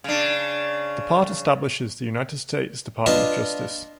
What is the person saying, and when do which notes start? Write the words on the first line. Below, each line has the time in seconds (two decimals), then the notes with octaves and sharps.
The part establishes the United States Department of Justice.
0.04 C#3 D4
3.06 D4 F4 B4 D#5